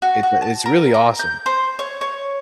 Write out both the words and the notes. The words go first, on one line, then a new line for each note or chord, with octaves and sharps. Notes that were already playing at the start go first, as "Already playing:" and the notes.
It's it's really awesome.
F#4
F#4
A5
A#4
A#5
G6
C5
C#5
C#5